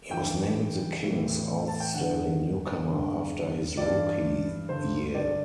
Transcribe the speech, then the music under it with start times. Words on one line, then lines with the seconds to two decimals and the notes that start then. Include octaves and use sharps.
He was named the Kings outstanding newcomer after his rookie year.
0.11 G2 E3 G5
1.03 A2 E3
1.68 A5
1.80 G5
1.94 G2 D3 F#5
2.85 G2 D3
3.77 G2 E3 D5
4.69 G2 D3 C5
5.15 D5